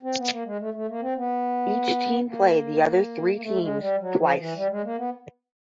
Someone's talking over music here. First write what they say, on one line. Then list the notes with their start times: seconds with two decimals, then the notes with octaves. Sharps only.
Each team played the other three teams twice.
0.03 C4
0.17 B3
0.31 A#3
0.45 G#3
0.59 A3
0.74 A3
0.88 A#3
1.01 C4
1.16 B3
2.28 A#3
3.34 A#3
3.42 A3
3.61 G#3
3.79 G3
3.99 F#3
4.17 F3
4.37 E3
4.55 G3
4.69 G#3
4.84 A#3
4.97 B3